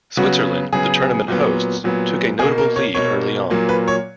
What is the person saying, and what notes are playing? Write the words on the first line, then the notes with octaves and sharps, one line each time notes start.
Switzerland, the tournament hosts, took a notable lead early on.
C#3 F#3 B3 F#4
C#3 F#3 B3 G#4
A#2 F#3 B3
A#2 F#3 B3
B2 A#3 G#4
A#4
C#5
B2 A#3 C#5
A#2 F#3 A#3
B4
C#5